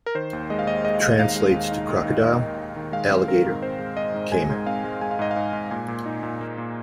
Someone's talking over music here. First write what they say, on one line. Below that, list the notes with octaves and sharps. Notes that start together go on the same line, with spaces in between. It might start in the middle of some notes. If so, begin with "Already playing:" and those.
Translates to crocodile, alligator, caiman.
A#4
D#3 C5
D#2
G#3 D#5
F5
D#2 D#5
G#3 D#5
D#2
D#4 F5
G#3
D#2
D#4
D#2
D#4
D#3
D#3
D#4
D#3
G#3 F5
C4
C4 A#4
G#2
C4 C5
G#3
G#3 D#5
G#2
G#3 G#5
G#2
C4 F5
G#3
G#3 G#5
F5
G#2 D#5
F5
G#2
G#2
A#2 G#5
A#2
D#4
A#2
A#3
A#2